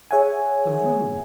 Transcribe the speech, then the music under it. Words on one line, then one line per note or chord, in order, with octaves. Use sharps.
The room!
G#4 C#5 E5 F#5 G#5